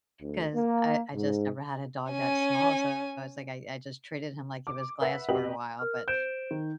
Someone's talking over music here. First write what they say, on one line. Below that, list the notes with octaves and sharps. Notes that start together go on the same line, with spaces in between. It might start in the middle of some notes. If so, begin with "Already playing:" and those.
'Cause I I just never had a dog that small, so I was like I I just treated him like he was glass for a while. But
D2
A#3
G#2
C#4 G#5
D6
B4 E5 F#5
C3 F#4 G4 B4 D#5 F#7
A#4 F6
C5 G6 D7 E7
D#3